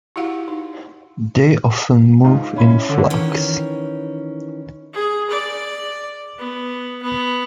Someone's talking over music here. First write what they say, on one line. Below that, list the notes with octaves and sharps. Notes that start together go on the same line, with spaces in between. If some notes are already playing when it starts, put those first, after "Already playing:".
They often move in flocks.
E4 F#4 G4 F5 F#5
D#4
G#2 F4 D#5
C#4 E4 B5
D3 C#4
D#3 E3 C#4
G#4
D5
B3
B3